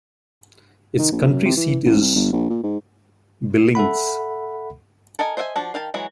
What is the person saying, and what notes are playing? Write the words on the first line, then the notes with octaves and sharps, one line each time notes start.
Its county seat is Billings.
D#3
A#1
F#2
C3
E3
A1
C2
G1
A#1
A#2
G#2
A4 E5 F#5 B5
A4 A#4 D#5 G#5
C5 D#5 E5 F#5 G#5
F3 D4 F#4 A5
D#3 F5 G5 A5
E3 F#3 G#3 F#4